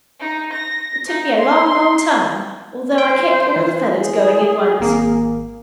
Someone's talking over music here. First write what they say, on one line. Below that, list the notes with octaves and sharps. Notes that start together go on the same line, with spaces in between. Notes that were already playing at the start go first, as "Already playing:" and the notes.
"It took me a long, long time, although I kept all the feathers going at once."
D#4
A#6
D#4
C6
C5 G5
E3
G#4
G#1 A#3